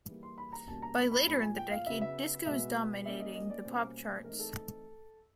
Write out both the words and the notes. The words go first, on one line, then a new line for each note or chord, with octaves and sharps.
By later in the decade Disco was dominating the pop charts.
E3 G3 A#3
C6
B5
A#5
B2 G3 A#3 C#4 A5
A#5
B5
B5
A2 F3 A#3 B5
G#5
G5
F5
C#3 F#3 B3 E5
E5
B2 G#3 B3 E5
F#3 A#3 C#4 E5
D#5
D#5
D5
B2 G3 A#3 C#4 C5
E3 A3 C4 D#4 A#4
A4